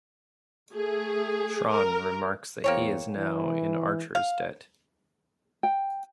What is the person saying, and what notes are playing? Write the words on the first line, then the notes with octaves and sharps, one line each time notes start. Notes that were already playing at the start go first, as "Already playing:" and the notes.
Shran remarks that he is now in Archer's debt.
A3 G#4
A#4
E2 A#3 C4 C#5
E3
F5
G5